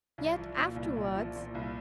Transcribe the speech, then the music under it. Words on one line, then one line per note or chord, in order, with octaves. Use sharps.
Yet afterwards--?
C2
F3
A#2
C2
C2
F3
A#2
C2